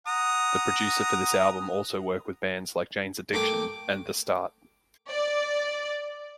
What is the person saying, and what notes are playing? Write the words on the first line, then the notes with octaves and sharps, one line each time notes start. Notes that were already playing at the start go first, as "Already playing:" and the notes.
The producer for this album also worked with bands like Jane's Addiction, and TheStart.
F#5 A#5 D#6
A3 A#3 G5 D6
D5